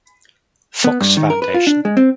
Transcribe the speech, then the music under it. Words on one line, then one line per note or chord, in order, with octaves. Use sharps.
Fox Foundation.
B3
G2
D#3
A#4
B4
F4
D4
G#3
C4